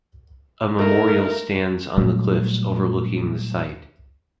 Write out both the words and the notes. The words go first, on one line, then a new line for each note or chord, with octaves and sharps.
A memorial stands on the cliffs overlooking the site.
A3 A#3 D#4 A#4
A#2 F#3 G3 A3